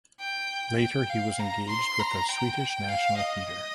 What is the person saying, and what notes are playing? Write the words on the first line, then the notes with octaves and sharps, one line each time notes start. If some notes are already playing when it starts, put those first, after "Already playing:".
Later he was engaged with the Swedish National Theater.
G5
G5
F5
A#5
C6
A#5
G5
F5
D#5